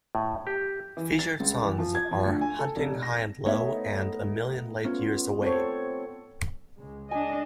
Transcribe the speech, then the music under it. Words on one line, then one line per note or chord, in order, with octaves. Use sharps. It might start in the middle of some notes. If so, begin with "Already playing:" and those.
Featured songs are "Hunting High And Low" and "A Million Light Years Away".
A2
G4
E3
A6
C#2
E3
F3
G#6
F3
D2
G#5
A4
F1
A#6
A3 B3 D#4 C#5 E5
B3 C#4 F4 C#5
C4 A4 C5 C#5
C#2 G#3
D4 D#5 G#5